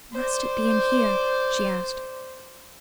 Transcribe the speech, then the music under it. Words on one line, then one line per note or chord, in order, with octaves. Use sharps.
"Must it be in here?" she asked.
C5 D5